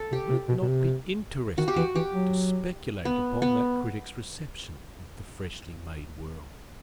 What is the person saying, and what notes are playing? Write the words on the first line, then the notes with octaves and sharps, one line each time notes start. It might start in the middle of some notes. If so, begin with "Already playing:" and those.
Would it not be interesting to speculate upon that Critic's reception of the freshly made World?
Already playing: A4
C3 G4
C3
B2
B2
C3
D#3 F#4
G4
E3 F#4
E3 G4
F#3
B3
B3